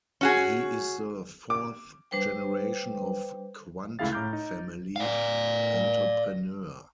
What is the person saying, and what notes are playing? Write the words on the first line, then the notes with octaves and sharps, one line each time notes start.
He is the fourth generation of Quandt family entrepreneurs.
C#4 F#4 G#4
D6
G3 D4 B4 C5 G5
C#2 A3 E4 G#4 F5 A6
A2 A#5 D6 F6 G6
D#4
D5 F5